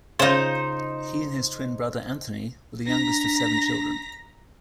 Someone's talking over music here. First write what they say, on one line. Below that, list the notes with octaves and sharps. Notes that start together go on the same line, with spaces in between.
He and his twin brother, Anthony, were the youngest of seven children.
C#3 D#4 F4 C5
D4 A#5 A#6 B6